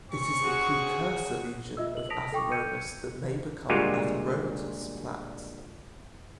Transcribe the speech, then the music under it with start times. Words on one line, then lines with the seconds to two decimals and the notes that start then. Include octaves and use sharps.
It is the precursor lesion of atheromas that may become atheromatous plaques.
0.10 C4 C#4 C#6
0.42 F#4 G#4
1.77 F4 D#5 E5 E6
1.97 F#7
2.10 A5 D#6 A#6 B6 D7 F7
2.32 A4 G5 C#6 D6
2.52 E6 G6 G#6 C#7 D#7
3.69 A#2 D3 G3 G#3 F4 F#4